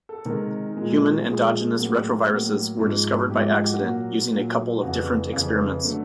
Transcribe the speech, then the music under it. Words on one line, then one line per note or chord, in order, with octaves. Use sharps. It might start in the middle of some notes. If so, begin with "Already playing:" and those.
Human endogenous retroviruses were discovered by accident using a couple of different experiments.
A4
C3 D#3 G#3 A#4
A#2 F3 G#3
A#2 F3 G#3 G#4
A2 F#3 A#3
A2 F#3 A#3
G#2 F3 G#3
G#2 F3 G#3 G4
G4
F#4
A#2 F#3 A#3 F#4
A#2 F#3 A#3
F2 C#3 E3 F#4
F2 C#3 E3
D3 F#3 A3